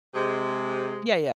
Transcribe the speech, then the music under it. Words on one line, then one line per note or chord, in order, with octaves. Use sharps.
Yeah, yeah.
C3 G#3